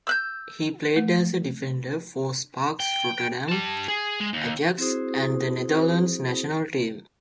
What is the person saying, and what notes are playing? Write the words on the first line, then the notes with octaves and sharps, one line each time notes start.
He played as a defender for Sparta Rotterdam, Ajax and the Netherlands national team.
E6 F#6 G6
A3
G5
G4 A5
G#4
G#3
D#2
C4 E4 F#4 G#4 C5 D#6